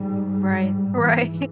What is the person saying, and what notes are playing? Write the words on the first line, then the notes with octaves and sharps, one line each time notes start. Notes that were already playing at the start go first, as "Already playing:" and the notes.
Right. Right.
Already playing: G#2 G3
G3
G#2 E3